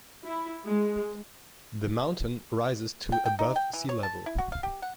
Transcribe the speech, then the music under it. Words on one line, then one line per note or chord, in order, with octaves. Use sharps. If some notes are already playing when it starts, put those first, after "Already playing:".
The mountain rises to above sea level.
E4
G#3
G5
G5
D#4
G5
E3
C#5
A5
E4
F#4
F5
G4
F#5